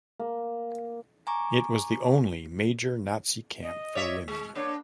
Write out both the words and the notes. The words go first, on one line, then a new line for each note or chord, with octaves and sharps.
It was the only major Nazi camp for women.
A#3
G#5 A#5 C#6 D6
D#5
C#5 D5 E5
G#3
A#3 D4 C#5